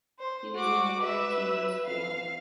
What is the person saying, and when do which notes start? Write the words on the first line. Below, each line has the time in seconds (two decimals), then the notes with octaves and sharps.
He was never very keen on school.
0.19 C5
0.55 F#4 D6
1.00 B4 E5
1.86 F5